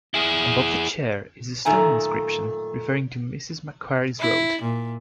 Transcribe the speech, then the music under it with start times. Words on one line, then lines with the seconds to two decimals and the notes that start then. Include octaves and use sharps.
Above the chair is a stone inscription referring to Mrs Macquarie's Road.
0.14 E4 G#4
1.65 F#2 A#2 D#3 A3 G#5 A#5
4.20 E4
4.62 A#2